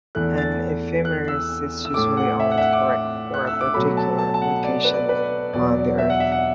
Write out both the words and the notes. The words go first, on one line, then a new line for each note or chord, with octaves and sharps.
An ephemeris is usually only correct for a particular location on the Earth.
E2 E3 A3 F#6
A6
F#6
E6
E6
A2 A3 D6
F#5
E5
F#5
E5
F#5
D6
F#6
E6
D6
B2 F#3 A3 B5
A5
A5
A5
F#5
D5
B4
D5
B4
E2 B2 F#3 D5
E5
F#5
E5
F#5